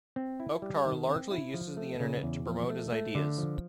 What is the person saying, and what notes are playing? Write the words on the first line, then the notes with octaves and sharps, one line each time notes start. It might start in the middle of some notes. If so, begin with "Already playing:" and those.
Oktar largely uses the Internet to promote his ideas.
C4
E4
G3
D#3
C4
E4
F3
A3
C#3
E2
F3
A3
A3
D3
F3